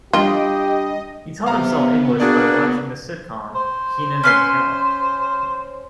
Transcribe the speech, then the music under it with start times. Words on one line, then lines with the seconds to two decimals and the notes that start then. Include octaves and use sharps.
He taught himself English by watching the sitcom Kenan and Kel.
0.13 G3 D4 F4 G4 D#5 G5
1.46 C3 B3 F5 A#5
2.20 A#3 D4 F#4 G#4 D5
3.55 C5
4.23 C#4 B4 C6